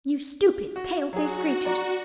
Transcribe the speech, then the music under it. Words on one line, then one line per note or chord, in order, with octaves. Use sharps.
You stupid, pale-faced creatures!
F#4
F#3 F#4 G#4
D5 A#5